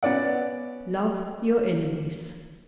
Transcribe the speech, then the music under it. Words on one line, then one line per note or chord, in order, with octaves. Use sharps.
Love Your Enemies.
B3 C#4 D5 F#5